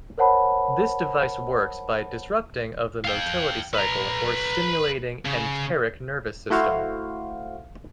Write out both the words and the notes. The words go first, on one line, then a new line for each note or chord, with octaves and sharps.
This device works by disrupting of the motility cycle or stimulating enteric nervous system.
A#4 C5 C#5 F#5 A5 B5
F5 G5
B4 A#5
C#3
A3 E4 F#4 C5 F5